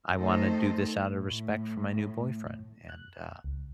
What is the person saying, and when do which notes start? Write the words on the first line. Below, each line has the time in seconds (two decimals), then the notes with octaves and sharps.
I wanna do this out of respect for my new boyfriend." And, uh,
0.17 D#3 A3 D#4 A4 C5
1.04 A2
2.89 F#6
3.44 C#2